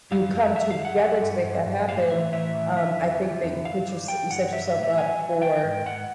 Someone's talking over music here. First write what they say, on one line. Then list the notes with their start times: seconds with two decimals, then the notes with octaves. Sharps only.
you come together to make that happen, um, I think that you put yourse you set yourself up for,
0.11 F#2 F5
0.34 F#2
0.55 F#2 E5
0.71 F5
0.78 F#2
0.85 F#5
1.00 G3
1.22 G2
1.44 G2
1.66 G2
1.88 A2 F5
2.10 E3 E5
2.32 A2 E5
2.55 E3
2.77 F3 E5
2.99 F2
3.21 F3
3.43 F2
3.65 G2 F5
3.87 G3
4.08 G3 G5
4.31 G2 F#5
4.53 F#3 E5
4.68 E5
4.75 A2
4.83 E5
4.97 F#3 G#5
5.19 F#3
5.41 F3 G5
5.64 G#2
5.86 G#2 F#5